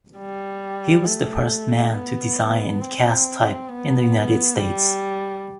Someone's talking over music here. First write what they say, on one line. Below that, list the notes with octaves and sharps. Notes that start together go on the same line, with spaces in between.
He was the first man to design and cast type in the United States.
G3
A3
B3
C4
B3
G3